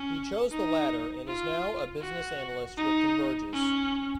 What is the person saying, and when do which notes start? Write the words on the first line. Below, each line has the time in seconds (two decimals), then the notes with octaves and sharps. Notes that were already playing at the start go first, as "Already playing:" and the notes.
He chose the latter, and is now a business analyst with Convergys.
Already playing: C#4
0.51 D#4
1.27 F4
2.02 F#4
2.77 D#4
3.53 C#4